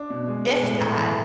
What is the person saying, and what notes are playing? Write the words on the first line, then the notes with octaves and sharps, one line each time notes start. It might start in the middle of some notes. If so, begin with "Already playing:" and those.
If that
Already playing: D4
B2
G#3
G#3
A2
A2
E3